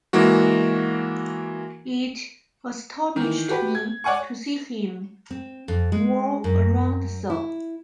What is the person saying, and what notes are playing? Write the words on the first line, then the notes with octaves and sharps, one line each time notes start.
It astonished me to see him whirl around so.
E3 G#3 A#3 F#4
D#3 E3
F#4 G4 B4
G#6
C#5 D5 F#5 G#5 C#6
C4
F2
G#3
F#2
E4